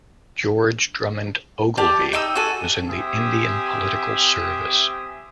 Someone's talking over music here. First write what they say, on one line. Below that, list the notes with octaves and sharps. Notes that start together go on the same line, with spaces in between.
George Drummond Ogilvie was in the Indian Political Service.
G4 D5 A5
D#4 G5 D#6 E6
F#4 A4 G#5
C4 G4 E5 G#5 D#6